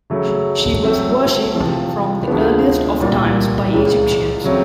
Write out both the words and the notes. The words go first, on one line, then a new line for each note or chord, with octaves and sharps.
She was worshipped from the earliest of times by Egyptians.
C#3 F#3 A3
F#3 A3 C4
E2 C3 F3
D2 D3 F3 G#3 B3
C2 A#2 G3 A#3
C#2 C#3 E3
C#3 F#3 A3 C4